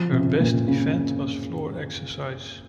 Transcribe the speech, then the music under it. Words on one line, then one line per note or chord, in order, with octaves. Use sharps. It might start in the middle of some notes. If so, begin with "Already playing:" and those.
Her best event was floor exercise.
Already playing: F3
C3
C#3
C3
A#2
C#3